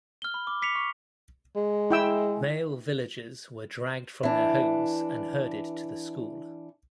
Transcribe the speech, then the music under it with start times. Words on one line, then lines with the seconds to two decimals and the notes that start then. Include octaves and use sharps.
Male villagers were dragged from their homes and herded to the school.
0.22 F6 G7
0.34 B5
0.47 D6
0.62 D6 B6 C#7 F7
0.75 C#6
1.55 G#3
1.90 E4 G5 E6
4.23 E3 D4